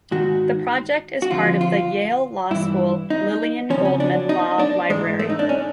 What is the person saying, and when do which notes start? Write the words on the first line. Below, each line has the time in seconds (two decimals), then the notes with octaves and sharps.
The project is part of the Yale Law School Lillian Goldman Law Library.
0.11 G#2 D#3 F#4
1.22 F#4
1.31 F2 D3 F3 F4
1.61 F4
2.51 G2 E3 E4
3.10 D#4
3.70 F2 C#3 F3 C#4
3.85 C#4
4.00 D4
4.29 D#4
4.59 D4
4.89 G#2 E3 G#3
5.19 A3
5.29 D#4
5.39 D4
5.49 C#4